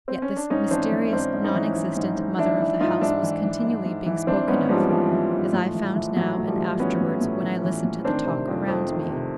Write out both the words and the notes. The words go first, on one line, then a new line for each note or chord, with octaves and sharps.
Yet this mysterious non-existent mother of the house was continually being spoken of, as I found now and afterwards when I listened to the talk around me.
C4
C#4
D4
G#2 C#4 D#4
E3 C4 D4
E3
G#2 C4 D4
G#2
C#4 D#4
E3
E3
G#2
G#2
E3 D4 E4
E3
G#2 D#4 F4
G#2 D4 E4
E3
E3
G#2
G#2
E3
E3 C4 D4
G#2 B3 C#4
G#2 F3 G3
E3 F3
E3
G#2
A2
E3
E3
A2 F#3
A2
F3 G3
E3
E3 B3 C#4
A2
A2
E3
E3
A2
D#3 C4 D4
C3
F2
F2
D#3
C3